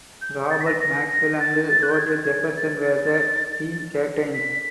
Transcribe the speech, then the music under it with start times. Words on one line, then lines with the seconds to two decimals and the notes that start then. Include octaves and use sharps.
Robert Maxwell and Roger Jefferson were the team captains.
0.21 G6
0.50 A6
0.61 B6
0.66 A#6
0.80 A#6
1.39 A6
1.83 F#6
1.91 G6
1.97 G#6
2.56 A6
4.34 B6